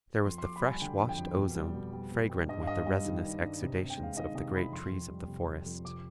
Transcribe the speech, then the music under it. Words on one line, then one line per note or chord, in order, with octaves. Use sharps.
There was the fresh-washed ozone fragrant with the resinous exudations of the great trees of the forest.
F2 C6
C6
F2 D6
B5
G3 G#5
D3 G5
F2
G5
F2
B2
G3
B2
G3
B2
G3
G2 D#5
F5
G2 D#5
G3 D#5
D#3
G2
G2
C3
C3
G5
G#3
F5
D#3 D#5
C3 D#5
C3 B5
F2 C6
F2
G3
C3
F2
F2
C3 D6